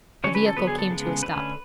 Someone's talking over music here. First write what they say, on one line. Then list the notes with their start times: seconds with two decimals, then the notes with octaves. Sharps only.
The vehicle came to a stop.
0.24 D3 F#3 C#4 C#5
0.35 B4
0.46 A4
0.57 D3 F#3 B3 B4
0.67 G#4
0.79 A4
0.90 C#3 G#3 B3
1.23 D3 A3 C#4 B4